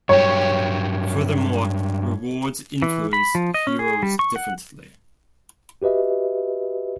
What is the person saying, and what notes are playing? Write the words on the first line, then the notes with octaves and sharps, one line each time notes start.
Furthermore, rewards influence heroes differently.
G2 F#3 G4 C#5
E3
B5
F3
D#5
C#4
G#4
G3
C#6
F#5
F#4 G4 B4 D#5 E5